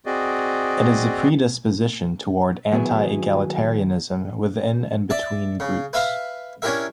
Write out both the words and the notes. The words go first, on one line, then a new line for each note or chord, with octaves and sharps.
It is a predisposition toward anti-egalitarianism within and between groups.
C4 F#4 G#4 D5 D#5
D#2 B2 F#3 B3 E4 G#4
D5 E5 A5
C#3
B4 E5 F5 B5
C#4 D4 E4 G4 A#4 E5